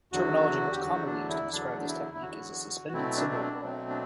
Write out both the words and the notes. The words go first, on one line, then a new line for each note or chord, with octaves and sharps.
The terminology most commonly used to describe this technique is a suspended cymbal roll.
E2 D3 F#3 F#4
G4
E2 D3 F#3 F#4
D4
E4
E2 D3 F#3 D4
D4
E4
E4
E2 D3 F#3 F#4
F#4
B2 F#3 A3 C4 E4
D4
E4
D4
B2 F#3 A3 C4
D4